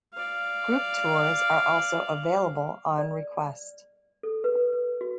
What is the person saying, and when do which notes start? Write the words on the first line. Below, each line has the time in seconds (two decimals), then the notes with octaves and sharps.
Group tours are also available on request.
0.13 D5 F5
2.98 D5
4.23 A4
4.44 B4
5.01 F#4